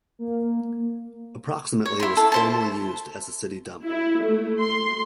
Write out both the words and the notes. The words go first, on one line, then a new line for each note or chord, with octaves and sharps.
Approximately was formerly used as the city dump.
A#3
C#5
E4 C6
A4
E4 C5 A5
E4
A3
C6